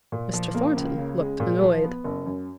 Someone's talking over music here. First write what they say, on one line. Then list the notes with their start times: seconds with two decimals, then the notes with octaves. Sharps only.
Mr. Thornton looked annoyed.
0.12 A#2
0.33 F3
0.55 A#3
0.76 C#2
0.98 C#3
1.19 G#3
1.40 A#2
1.62 F3
1.84 B3
2.04 F#1
2.26 F#2